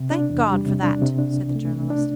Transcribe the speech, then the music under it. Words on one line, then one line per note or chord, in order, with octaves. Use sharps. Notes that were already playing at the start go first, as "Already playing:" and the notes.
"Thank God for that," said the Journalist.
Already playing: C3
D4
E2
G3
C3
D4
C3
D4
C2
A3
C3
D4